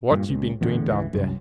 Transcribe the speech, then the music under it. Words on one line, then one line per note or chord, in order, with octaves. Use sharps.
"What you been doing down there?"
G2 A#2
C#2
E2 A2 D3
C#2 E3
C2 F#2